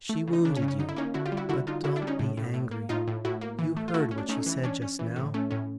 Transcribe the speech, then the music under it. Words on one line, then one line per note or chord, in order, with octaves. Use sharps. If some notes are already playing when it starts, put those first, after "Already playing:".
She wounded you, but don't be angry. You heard what she said just now?
A3
C#3
D#4
C#3 D4
C#4
C#3
C#4
D3 D#4
E4
A#3 C#4 D#4
D3 E4 F#4
F4 G4
G3
E4 F#4
D3 E4 F#4
D3 D#4 F4
D3 E4 F#4
D4 E4
G3
C#4 D#4
A2
A2
A2
A#3
A2 D#4 F4
A2
A2 E4 F#4
A#3
E3
A3
F4
A3 E4 F#4
C#4
D4
A3 C#4 D#4
E3
C#4 D4
C#4
E3
A2
A3 C#4
A2 C#4